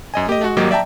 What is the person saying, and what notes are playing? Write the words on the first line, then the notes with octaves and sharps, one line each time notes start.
You know
F#2 D#5 G#5
G4 D#5
F#4
G#1 F#3 A#3 G4 D#5
D5 E5 G5 A5 A#5